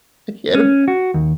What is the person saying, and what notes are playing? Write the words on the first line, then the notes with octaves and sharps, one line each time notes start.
I can't
C#4
F#4
D#2